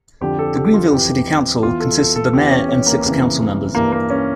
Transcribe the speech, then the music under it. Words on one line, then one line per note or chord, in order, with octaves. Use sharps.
The Greenville City Council consists of the mayor and six council members.
F2 D3 F3 G4
A4
G4
F4
F2 E3 G4
E2 E3 F4
A4
A4
A4
E2 E3 G4
C#4
C#4
A#3
F2 C#3 E3
G2 E3 A#3
A#3
C#4